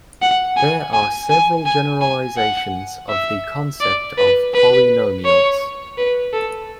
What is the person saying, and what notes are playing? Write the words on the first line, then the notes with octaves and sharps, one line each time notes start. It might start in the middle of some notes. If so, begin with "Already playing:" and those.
There are several generalizations of the concept of polynomials.
F#5
G#5
G#5
G#5
G#5
G#5
F#5
E5
D5
B4
B4
C#5
B4
A4